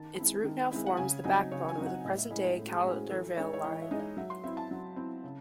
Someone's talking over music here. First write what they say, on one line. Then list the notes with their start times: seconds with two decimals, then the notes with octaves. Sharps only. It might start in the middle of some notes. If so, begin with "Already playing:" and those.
Its route now forms the backbone of the present-day Caldervale Line.
Already playing: D#3 A5
0.18 G#3 C4 E4
0.44 D#3
0.71 G#3 C4 E4
0.86 F#5
0.97 C#3 G#5
1.24 F#3 C4 D#4 G#5
1.52 C#3 C#5
1.69 G#5
1.78 F#3 C4 D#4
1.86 F#5
2.04 A2 D#5
2.18 E5
2.30 G#3 C#4 E4 D#5
2.44 C5
2.57 A2 A4
2.66 F#4
2.71 G#4
2.84 G#3 C#4 E4 F#4
2.97 G#4
3.10 E3 A4
3.37 G#3 D#4 C#5
3.53 C#5
3.64 E3 D#5
3.82 E5
3.91 G#3 D#4
3.99 D#5
4.17 F#3 E5
4.30 C6
4.44 C4 E4 E5
4.57 A5
4.71 F#3
4.96 C4 E4
5.24 C#3